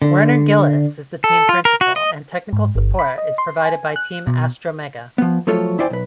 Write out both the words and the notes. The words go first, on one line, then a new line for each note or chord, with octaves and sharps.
Werner Gillis is the team principal, and technical support is provided by Team Astromega.
D3
A4
F4
A#4
F#4
D#5
G#2
G1
B5
D#5
C6
G#5
F#6
B2
F3 B3
F3 F#3 A3 F4 A4 C#5
E2 E4 C5 D5 G5 G#5
B1 B4